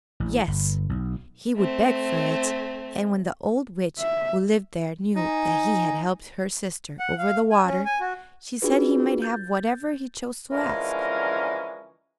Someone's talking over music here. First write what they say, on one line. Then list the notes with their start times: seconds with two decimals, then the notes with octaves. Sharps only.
Yes! he would beg for it; and when the old witch who lived there knew that he had helped her sister over the water, she said he might have whatever he chose to ask.
0.20 A1
0.48 G1
0.89 B1
1.57 A3 C4
3.99 E5
5.16 D#4 G#5
6.99 F#5
7.18 F5
7.51 G#5
7.65 C#4
7.86 G#5
8.01 F#4
8.62 D4 F4 F#4 G#4 B4
9.22 G6 A6
10.52 D3 E3 F3 G#3 C#4 A#4